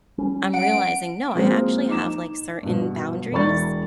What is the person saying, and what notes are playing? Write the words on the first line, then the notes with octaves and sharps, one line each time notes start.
I'm realizing, no, I actually have, like, certain boundaries,
G3 C#4
F#5 D7
F3 G#3 A#3 C4 F#4 C5
D#4 D6 E7
G2 B2
E1 E3 D5 B5 C#6 A6